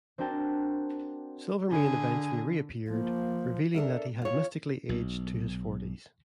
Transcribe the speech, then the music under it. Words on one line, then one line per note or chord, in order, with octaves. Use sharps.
Silvermane eventually reappeared, revealing that he had mystically aged to his forties.
C4 D4 F#4 A#4 G5 A5
D3 G#4
F3 A#3
D4 A4 A#4 E5
F4 C#5
B1